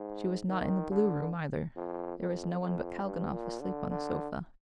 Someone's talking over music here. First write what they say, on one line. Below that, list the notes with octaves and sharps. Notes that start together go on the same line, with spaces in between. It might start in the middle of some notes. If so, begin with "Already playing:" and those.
She was not in the blue room either; there was no one but Kalganov asleep on the sofa.
Already playing: G#2
D#3
D3
F2
F2
F2
G2
A#2
D3
D3